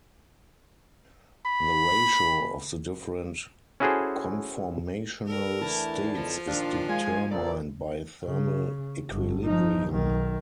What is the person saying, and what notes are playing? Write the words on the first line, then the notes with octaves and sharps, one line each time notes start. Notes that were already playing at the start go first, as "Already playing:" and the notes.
The ratio of the different conformational states is determined by thermal equilibrium.
B5
C#4 E4 F#4 G#4 A4 C5
G3 A4 A#4
E2 E3 A3 D4 E4 A5
F2 F3
A#2 D#3 D4 F4
G#3 F4 G#5
A#2 C#3 F3 A4 A#4 D5
C#3
G1
F3 D#4
B1 D#3